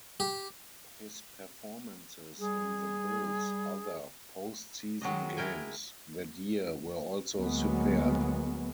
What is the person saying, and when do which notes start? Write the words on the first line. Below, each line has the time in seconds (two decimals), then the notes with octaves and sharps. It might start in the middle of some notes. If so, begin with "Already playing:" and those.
His performances in the Bills other postseason games that year were also superb.
0.20 G4
2.39 G3 G#4
5.01 D#3 F#3 G#3 D#5
5.37 G#3 E4 A#4 G5 G#5
7.35 D2 F#3 G#3 A#3 B3